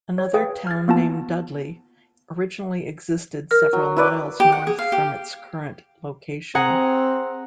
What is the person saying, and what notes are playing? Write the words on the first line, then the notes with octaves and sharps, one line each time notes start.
Another town named Dudley originally existed several miles north from its current location.
C#5
G#4 B4 F5 G5
F6 G#6 A6
A#3 B3 F4 A5
A#4 F6
F#3
E4 B4 D5
G4
F#5
G#4
F5
G4
C4 G#4 F#5 A#5